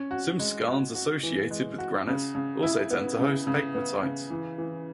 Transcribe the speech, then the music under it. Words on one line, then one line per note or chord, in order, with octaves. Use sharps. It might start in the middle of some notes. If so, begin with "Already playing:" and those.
Some skarns associated with granites also tend to host pegmatites.
Already playing: C#4
F#4
G#3
F#4
F#4
E3
G#3
F#4
C#3
C#3
E4
B3
C#3
C#3
B3
C#3
E3
E3